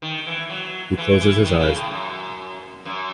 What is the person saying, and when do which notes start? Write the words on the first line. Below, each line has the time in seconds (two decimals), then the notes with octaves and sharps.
He closes his eyes.
0.02 D#3
0.26 E3
0.50 F#3
0.97 E3
1.20 E3
1.44 D#3
1.59 C#3
1.75 A2
1.90 F#2
2.85 F#2